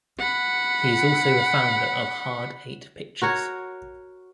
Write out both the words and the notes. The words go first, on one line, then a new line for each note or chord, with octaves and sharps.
He is also the founder of Hard Eight Pictures.
F#5 B5
F#4 A#4 C#5